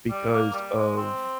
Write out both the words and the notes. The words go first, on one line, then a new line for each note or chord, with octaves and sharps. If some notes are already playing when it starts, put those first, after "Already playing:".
because of,
G3
A#3
G3
G#3
C4